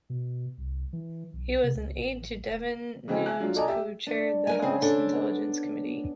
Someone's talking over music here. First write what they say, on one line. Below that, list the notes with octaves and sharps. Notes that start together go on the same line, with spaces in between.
He was an aide to Devin Nunes who chaired the House Intelligence Committee.
B2
C2
E3
B1
C3
C#2
A1
E1
C#3 E3 G#3 C4 F#4 G#4
E5 G#5 F#6
F#3 D4 F4
A4 D5 D#5 G#5 A#5
G4 E5
D4 D5 C#6
A#4 B4 G#5
C#3 C4 G#4 C5
D4 A4 D5
B3